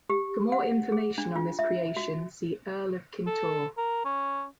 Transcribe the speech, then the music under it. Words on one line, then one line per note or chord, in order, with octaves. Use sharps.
For more information on this creation, see Earl of Kintore.
G4
F#5
G#4
D4
F4
E5
F#4
A4
A#4
C#4